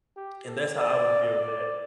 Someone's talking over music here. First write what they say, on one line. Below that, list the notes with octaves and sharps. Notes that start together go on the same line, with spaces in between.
and that's how I would deal with that.
G4
A4
D5
D5